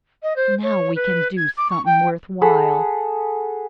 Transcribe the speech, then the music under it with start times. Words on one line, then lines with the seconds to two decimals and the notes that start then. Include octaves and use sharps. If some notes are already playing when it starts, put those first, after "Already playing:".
"Now we can do somethin' worthwhile."
0.22 D#5
0.36 C5
0.62 C#5
0.95 B4
1.36 G#6
1.57 D6
1.70 C#6
1.85 G5
2.41 G#4 A4 F#5 B5